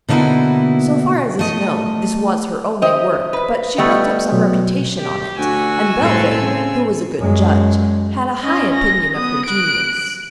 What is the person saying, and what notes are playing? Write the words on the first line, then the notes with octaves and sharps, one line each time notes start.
So far as is known, this was her only work, but she built up some reputation on it, and Belvane, who was a good judge, had a high opinion of her genius.
B2 D3 A#3 D#4 E4 F#4
A3 D#5
G4 C5 D#5 E5
B4
G3 A3 B3 D#5
B2 F#3
G4
D2 F#4 G#5 E6
C2 A2 C4 A4
C#3 C4
F#2 G#3
C#4 D#5
A#6
B3 D#6
F#6 D7